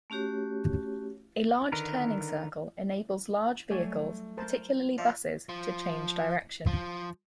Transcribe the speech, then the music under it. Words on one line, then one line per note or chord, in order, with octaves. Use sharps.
A large turning circle enables large vehicles, particularly buses, to change direction.
A3 C#4 F#4 G4 C#5
D3 D#3 A#4 B4
F#3 G3 A3 C#5 D5 G#5
A#4 C5 A5
F3 D5 E5
F3
F3